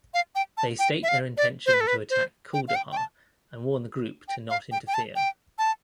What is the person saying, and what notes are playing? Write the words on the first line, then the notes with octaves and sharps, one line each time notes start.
They state their intention to attack Kuldahar, and warn the group to not interfere.
F5
G5
A5
G5
E5
F5
D5
C5
B4
A4
B4
C5
G5
F5
G5
G5
A5
G5
F5
G5
G5
A5
G5
A5